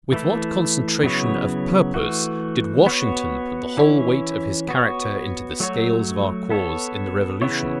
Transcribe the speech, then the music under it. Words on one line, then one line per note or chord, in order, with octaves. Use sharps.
With what concentration of purpose did Washington put the whole weight of his character into the scales of our cause in the Revolution!
E3 A3 E4
C#3 F#3 B3 E4 C#5
E3 A3 F#4
B3 F#4 C#5
E3 C#4 E4 C#5
B3 F#4 C#5
F#3 A3 F#4 C#5
B3 A4 C#5
C#3 E3 B3 E4 C#5